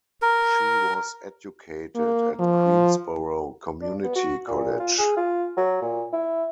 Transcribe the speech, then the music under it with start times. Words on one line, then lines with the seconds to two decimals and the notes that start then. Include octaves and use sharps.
She was educated at Queensborough Community College.
0.22 A#4
1.95 A#3
2.39 F3
3.82 D4
4.04 B3
4.15 F#4
4.47 A#2
4.80 F4
4.99 G#4
5.17 F4
5.57 F#3
5.82 A#2
6.13 E4